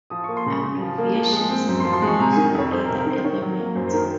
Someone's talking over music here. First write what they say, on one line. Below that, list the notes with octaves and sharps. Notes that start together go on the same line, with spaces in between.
Abbreviations may be used for either element.
F3 D#6
C#6
A#3
C6
C#3 C#6
C#3
F3
A#3
F3
G#3
C4
F#2
C6
F3
C6
G#3 C#6
C3 A#5
G#5
D#3
F2 C#5
F2 C5
A#4
C3
A#4
D#3 C5
D#3 C#5
F#3
A#3
F#2 C5
C5
D#3 A#4